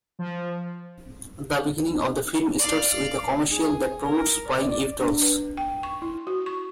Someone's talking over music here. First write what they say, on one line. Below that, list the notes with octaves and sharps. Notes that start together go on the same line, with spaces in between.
The beginning of the film starts with a commercial that promotes buying Eve dolls.
F3
D5 F5
G#4
A#4
D5
D4
B4
G5
C#6
E4
F#4
C#6